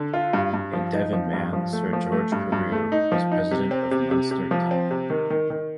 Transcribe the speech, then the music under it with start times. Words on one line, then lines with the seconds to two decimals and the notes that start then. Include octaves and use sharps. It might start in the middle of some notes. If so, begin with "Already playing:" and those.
A Devon man, Sir George Carew was President of Munster temp.
Already playing: D3
0.14 F4
0.33 G2
0.54 G2
0.73 F3
0.93 D#4
1.13 F3
1.33 G2
1.53 F3
1.73 A3
1.93 F3
2.12 A3
2.32 G2
2.52 G2
2.72 A3
2.92 D#4
3.12 F3
3.32 D#4
3.51 C3
3.71 C4
3.91 C3
4.11 C3
4.31 C3
4.51 F3
4.71 C4
4.91 C3
5.10 D#3
5.30 D#3
5.50 D#3